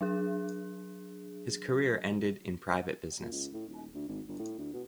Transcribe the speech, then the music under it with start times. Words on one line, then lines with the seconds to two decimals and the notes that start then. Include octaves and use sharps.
His career ended in private business.
0.01 F#3 D4 G#4
3.19 A#2
3.32 C#2
3.53 A2
3.67 D#1
3.94 D2
4.08 G#1
4.28 G1
4.39 A2
4.58 D2
4.73 B2